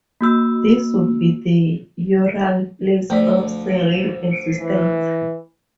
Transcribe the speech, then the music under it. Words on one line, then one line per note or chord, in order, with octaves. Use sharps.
This would be the Ural "place of serene existence".
A#3 F#4 E6
D2 F3 A3 D5
E3